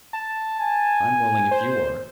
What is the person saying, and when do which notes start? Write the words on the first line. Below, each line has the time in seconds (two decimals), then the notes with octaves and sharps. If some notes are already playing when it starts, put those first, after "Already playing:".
"I'm willing if you are."
0.13 A5
0.59 G#5
1.51 C5